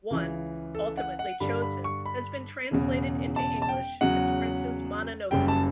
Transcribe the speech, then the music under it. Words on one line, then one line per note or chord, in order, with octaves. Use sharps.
One, ultimately chosen, has been translated into English as "Princess Mononoke".
C#2 C#3 E3
A4
F#5
F#5
G2 D3 G3 D4 B5
B5
C#6
B5
E1 E2 C#3
A5
A5
G5
E2 C#3 F#3 F#5
F#1 F#2 C#3 G3 G5
A5